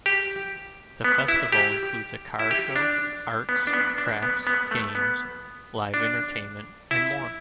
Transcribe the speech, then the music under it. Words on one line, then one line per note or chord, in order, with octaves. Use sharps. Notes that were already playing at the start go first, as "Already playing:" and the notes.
The festival includes a car show, arts, crafts, games, live entertainment and more.
G4
B3
E4
G4
E4
G4
D4
B3
D4
B3
D4
B3
B3
A3
B3
D4
E4